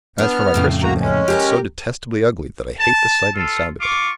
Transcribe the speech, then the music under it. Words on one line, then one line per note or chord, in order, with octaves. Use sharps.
As for my Christian name, it's so detestably ugly that I hate the sight and sound of it.
B3 D4 F6
F2 A2 C#3
A#3 F#4 A#5
G#3 C#4
G4 G#4 A#4
A5
F4 A4
F4 C#6 D6